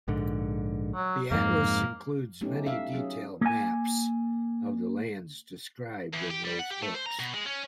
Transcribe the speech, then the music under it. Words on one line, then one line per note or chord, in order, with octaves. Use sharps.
"The Atlas" includes many detailed maps of the lands described in those books.
A#1 G#2 D3
F#3
F2 G#2 A#3
F#3 A3 B3 C#4 D#4 G4
E5 F5
F#3 C#4 G#4
A#3 G#5
E2
G4
G3
F#5
G4
A3
C5
A#5
B2
G#3
C#4